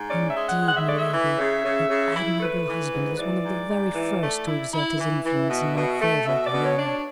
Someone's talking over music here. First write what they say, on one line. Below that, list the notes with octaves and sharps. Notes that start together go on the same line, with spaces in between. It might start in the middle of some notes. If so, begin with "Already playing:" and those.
'Indeed, miladi, your admirable husband was one of the very first to exert his influence in my favour at Vienna.
Already playing: G#2
C#4 D5
E5
G#3
F#5
G#3
F#5
E5
A3 D5
E5
E3
C#3
C#3
C#3
E4
A3 B4
E3
G#2
E3 D5
G#2
G#2
E3
A3
E4
E4 E5
E3
E3
B2
B2
A3
B2 E5
D5
B2
C#5
D4
C#5